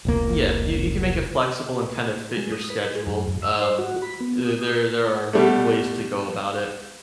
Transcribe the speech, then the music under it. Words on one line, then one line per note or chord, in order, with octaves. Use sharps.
Yeah, you you can make it flexible and kind of fit your schedule. Um, the there there are ways to go about it.
F1 C#2 A#3
G#3
D#6
B4
G#4
F#2
F#2
E6
C5
F#4
B5
B3
D#6
B2 G3 A3